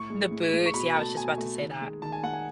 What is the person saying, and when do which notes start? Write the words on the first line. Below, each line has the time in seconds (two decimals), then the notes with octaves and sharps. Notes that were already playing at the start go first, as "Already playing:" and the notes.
The boots, yeah, I was just about to say that.
Already playing: A2 C#6
0.10 G#3
0.31 A2
0.53 G#3
0.66 C#6
0.74 B2 B5
0.95 A3 A5
1.17 B2 G#5
1.38 A3
1.60 D#3
1.81 G#3
2.02 D#3 A5
2.12 G#5
2.23 G#3 F#5
2.33 G#5